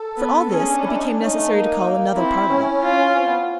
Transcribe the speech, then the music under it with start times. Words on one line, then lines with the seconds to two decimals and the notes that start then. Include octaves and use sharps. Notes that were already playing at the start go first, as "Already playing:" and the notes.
For all this, it became necessary to call another Parliament.
Already playing: A4
0.17 B3
0.50 C#4 G#4
0.67 D4
0.83 E4
0.94 D#4
1.05 D4
1.16 C#4 D#4
1.33 A3
1.50 A#3
2.16 C4 E4
2.43 C4
2.49 C#4
2.83 F4
3.16 C4
3.26 B3